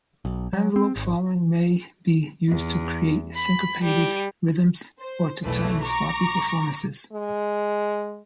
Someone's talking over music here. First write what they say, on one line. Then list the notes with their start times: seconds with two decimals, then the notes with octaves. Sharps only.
Envelope following may be used to create syncopated rhythms or to tighten sloppy performances.
0.25 B1
0.53 F#3
0.76 C4
0.96 G#1
2.48 E2
3.34 B5
3.83 G3
5.00 C5
5.44 B1 E2 E3 A3
5.84 A#5 C#6 D6
7.13 G#3